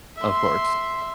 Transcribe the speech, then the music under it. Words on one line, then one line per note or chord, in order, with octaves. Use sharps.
Of course.
E5 C6